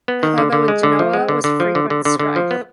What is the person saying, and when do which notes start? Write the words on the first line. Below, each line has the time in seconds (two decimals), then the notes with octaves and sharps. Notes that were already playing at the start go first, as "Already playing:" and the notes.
However, with Genoa was frequent strife.
0.08 B3
0.23 D#3
0.38 D3
0.53 D3
0.68 G#3
0.83 D3
0.99 F3
1.13 G#3
1.29 D3
1.44 D3
1.60 F3
1.75 D3
1.90 D3
2.05 D3
2.19 D3
2.36 F3
2.51 B3